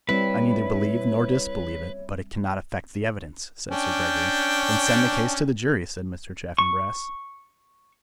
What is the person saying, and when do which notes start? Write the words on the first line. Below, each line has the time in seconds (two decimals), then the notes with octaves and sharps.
"I neither believe nor disbelieve it; but it cannot affect the evidence," said Sir Gregory. "Then send the case to the jury," said Mr. Chaffanbrass.
0.09 G3 C4 E4 B4 C#5
3.71 C#4 D4 G5
6.59 C#6